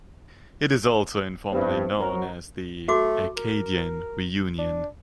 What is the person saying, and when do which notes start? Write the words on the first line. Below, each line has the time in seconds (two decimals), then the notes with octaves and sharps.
It is also informally known as the "Acadian Reunion".
1.52 G2 B3 C4 E4 C5
2.00 F#3 F#4 A#4
2.88 A3 F#4 D6
3.37 A#4
4.58 D4